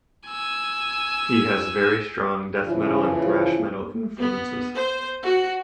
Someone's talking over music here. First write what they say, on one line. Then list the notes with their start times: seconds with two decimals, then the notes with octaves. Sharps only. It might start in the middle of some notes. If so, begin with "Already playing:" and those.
He has very strong death metal and thrash metal influences.
0.27 G#5 E6
2.67 C#3 E3 F3
4.18 B3
4.74 C5
5.23 F#4